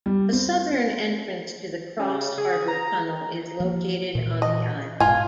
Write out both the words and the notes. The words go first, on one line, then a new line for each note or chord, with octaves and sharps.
The southern entrance to the Cross-Harbour Tunnel is located on the Island.
G3
C4
C#3
G#4
A#5
F3 A#3
A#2 E3
D#5
E1 G#2 F4 G#5